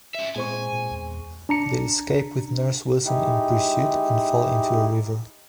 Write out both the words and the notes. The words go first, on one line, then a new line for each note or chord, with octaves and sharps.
They escape with Nurse Wilson in pursuit, and fall into a river.
C#4 E5
A#2 G#3 C4 G#5 C#6
A#2
E2
D4 A#5 C#7
G#3 D#4 E4 G4